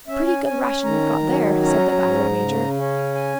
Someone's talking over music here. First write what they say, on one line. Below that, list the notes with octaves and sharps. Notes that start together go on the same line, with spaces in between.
"And a pretty good ration you've got there," said the baffled Major.
C#4 E5
G#5
C#4 G#5
G#5
D#3 A#5
F#3
C#4 A#5
G#2
C#3
C#4
G#5